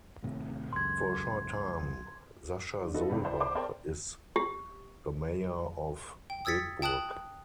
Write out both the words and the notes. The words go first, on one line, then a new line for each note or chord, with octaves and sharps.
For a short time Sascha Solbach is the mayor of Bedburg.
D#2 A2 C3
C#2 F#2 C6 G#6
D4
D#4 F4 F#4 A4 B4 D#5
G#1 C#2 G2 B5
E4 C5 D5 E5
C5 B5 D6
A#4 C5 D5 G5 A5
G4
G5
D#6 E6 G#6 A6 B6 C#7
G5 A5 D#6 F#6 F#7